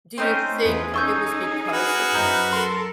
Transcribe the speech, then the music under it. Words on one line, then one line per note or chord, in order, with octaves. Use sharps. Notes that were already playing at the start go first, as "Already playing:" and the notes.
Do you think it was because of
A3 C4 C#4 D#4 C5
E2 F4 G#4 B4
C#4 D#4 A4 C#6 G6
F#4 B4 F6
F#2 D#4 E4 C5
A4 A#4 C6